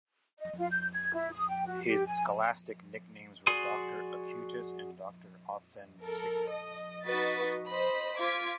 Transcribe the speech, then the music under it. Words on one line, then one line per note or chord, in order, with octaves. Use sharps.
His scholastic nicknames were "Doctor acutus" and "Doctor authenticus".
D#5
F4
G6
G#6
E4
D#6
G5
F#4
G4
G#5
F#4 G#4 D5 C6 D#6
A4 A#4
D#5
D#4 F#4 B4 D#5 A6 B6
C5 D#5 B5
F4 D6 G#6 B6